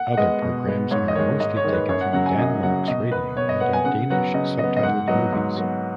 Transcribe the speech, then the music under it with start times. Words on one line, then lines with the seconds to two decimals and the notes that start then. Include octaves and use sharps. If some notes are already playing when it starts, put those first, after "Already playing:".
The other programmes are mostly taken from Danmarks Radio and are Danish subtitled movies.
Already playing: F#5
0.13 F#5
0.17 G#3 B3 D#5
0.42 B2
0.66 G#3 B3
0.91 G#2 C#5
1.08 D#5
1.15 D#3 G#3 C#5
1.40 G#2 D#5
1.56 C#5
1.64 D#3 G#3
1.72 B4
1.89 F#2 C#5
2.01 F#5
2.13 C#3 F#3 F#5
2.26 G#5
2.38 F#2 D#5
2.63 C#3 F#3 F#5
2.87 B2 D#5
3.12 B3 B4
3.36 B2 C#5
3.49 D#5
3.60 B3 F#5
3.73 G#5
3.85 C#3 F#5
4.10 F#3 B3 F#5
4.34 C#3 D#5
4.59 F#3 B3 D#5
4.77 D#5
4.83 G#2 F#5
5.08 F#3 B3 D#5
5.33 G#2
5.56 F#3 B3